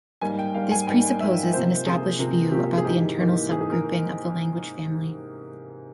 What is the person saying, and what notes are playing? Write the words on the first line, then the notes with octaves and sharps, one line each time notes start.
This presupposes an established view about the internal subgrouping of the language family.
G#2 G3 A#3 G#5
G5
G#2 G3 A#3 F5
G#5
G#2 G3 A#3 G5
G#2 G3 A#3 E5
C3 F3 A#3 C5
C3 F3 A#3 G#4
C3 F3 A#3
C3 F3 A#3 G4
G#4
G#2 E3 A#3 G4
G#2 E3 A#3
G#2 E3 A#3 G#4
G#4
A#4